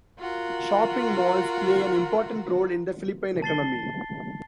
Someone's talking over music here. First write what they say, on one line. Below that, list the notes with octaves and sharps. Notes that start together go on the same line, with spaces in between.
Shopping malls play an important role in the Philippine economy.
F4 F#4 A#4
A5 A6 C7 G7